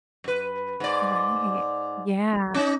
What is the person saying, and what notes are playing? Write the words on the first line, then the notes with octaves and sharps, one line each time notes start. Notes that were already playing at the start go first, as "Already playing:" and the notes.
Right, yeah.
F#2 B4
G#2 D5
C#4 D#4